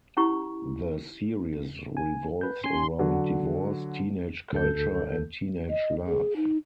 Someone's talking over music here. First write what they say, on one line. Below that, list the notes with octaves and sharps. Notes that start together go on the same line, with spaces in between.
The series revolves around divorce, teenage culture and teenage love.
C#4 E4 G4 A#5 C#6 E6
G#5
B4 G6
C#4 G#5 C6
D3 F#3
D2 A4 G6
D#5
G#4
D#4